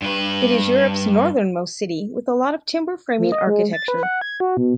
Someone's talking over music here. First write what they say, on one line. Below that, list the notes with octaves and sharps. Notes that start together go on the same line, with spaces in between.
It is Europe's northernmost city with a lot of timber framing architecture.
G2 B4
F3
D#5
G#3
A6
B4
F#5
G#6
F#4
B2